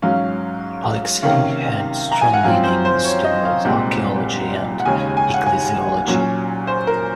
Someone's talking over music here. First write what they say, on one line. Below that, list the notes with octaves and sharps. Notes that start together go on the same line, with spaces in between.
Alexei had strong leanings towards archaeology and ecclesiology.
G#2 F#3 C#4 F5
C3 D#3 A#3 C#4 F5
A#5
G#5
F#5
F#2 F3 C4 F5
C5
C5
C#5
D#5
F5
C2 A#2 G#3 C4 F#5
F#5
D#2 C#3 G#3 G#5
G#5
F#5
G#5
A#2 F#3 C#4
C5
A#4